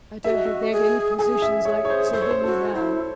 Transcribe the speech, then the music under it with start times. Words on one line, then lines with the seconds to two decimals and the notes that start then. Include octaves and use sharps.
I don't think they've any physicians like Sir Henry now.
0.24 G#4 E5
0.30 F#4 D#5
0.45 E5
0.72 G#4
1.19 G#4 A4 G#5
1.42 E5
1.65 A4 C#5
1.70 G#4
1.85 C#5
1.90 C5
2.13 A4 C5
2.22 C#5
2.31 C5
2.43 F#4 A4
2.75 E4 C5